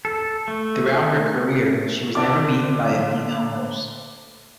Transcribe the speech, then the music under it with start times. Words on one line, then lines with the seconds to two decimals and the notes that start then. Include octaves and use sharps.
Throughout her career, she was never beaten by a female horse.
0.05 A4
0.48 A3
2.15 D3 D4 D6